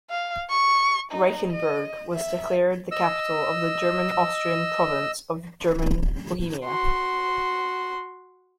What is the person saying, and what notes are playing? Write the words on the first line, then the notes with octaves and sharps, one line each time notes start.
Reichenberg was declared the capital of the German-Austrian province of German Bohemia.
F5
C#6
D#4
D#5
E5
D#5 E6
F#4 C6